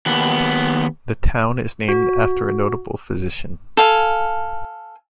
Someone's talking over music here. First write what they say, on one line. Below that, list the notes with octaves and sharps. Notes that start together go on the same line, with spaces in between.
The town is named after a notable physician.
D#2 B3
F#4
A4 F5 G#5